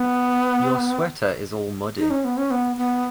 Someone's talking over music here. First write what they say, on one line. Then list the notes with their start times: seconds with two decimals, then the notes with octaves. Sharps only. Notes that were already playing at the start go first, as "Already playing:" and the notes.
Your sweater is all muddy.
Already playing: B3
1.98 D#4
2.11 C#4
2.25 B3
2.37 C#4
2.51 B3
2.77 B3